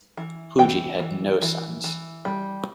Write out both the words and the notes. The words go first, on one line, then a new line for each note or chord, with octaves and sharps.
Pujie had no sons.
E3
E3 G5
E3
E3
E3
G3